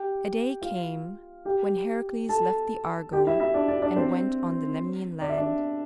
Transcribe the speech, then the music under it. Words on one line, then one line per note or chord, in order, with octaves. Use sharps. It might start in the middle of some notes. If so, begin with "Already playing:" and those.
A day came when Heracles left the Argo and went on the Lemnian land.
Already playing: G4 G5
F4 F5
G4 G5
A4 A5
G4 G5
E4 E5
E4 E5
D4 D5
D4 D5
D4 D5
C4 C5
D5
E5
D4 D5